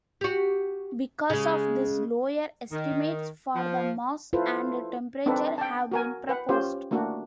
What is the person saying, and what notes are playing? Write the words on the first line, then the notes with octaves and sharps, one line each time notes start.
Because of this, lower estimates for the mass and temperature have been proposed.
F#4 G4
C#3 G#3
D#3
F3
E4 F4 A4 B4 C5
C4 D4 D#4 A4 B4
G5 A5
F#4 A#4 G#5
B4 F#5
C#4 F4 G4 C5
A3 A#3 D4 F#4